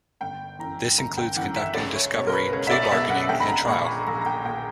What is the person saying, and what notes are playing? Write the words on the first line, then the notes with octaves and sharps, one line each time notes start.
This includes conducting discovery, plea bargaining, and trial.
G1 G5
F#2 E3 A#5
G1 A#5
G5
F#2 E3 F#5
E5
C#2 D5
C#5
B2 C#5
A#4
B4
C#2 C#5
E5
D5
B2 E5
F#5
A#1 G5
B5
A#5
A#2 C#6
B5
A#1 A#5
A#5
G5
A#2 G5